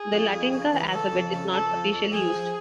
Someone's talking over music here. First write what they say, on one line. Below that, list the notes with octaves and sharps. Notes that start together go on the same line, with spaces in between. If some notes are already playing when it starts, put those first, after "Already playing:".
The Latynka alphabet is not officially used.
Already playing: G#4
F2
F2
C#3
E3
C#3 A4
F2
C#3
F2 A4
F2
F2
F3 G#4
F3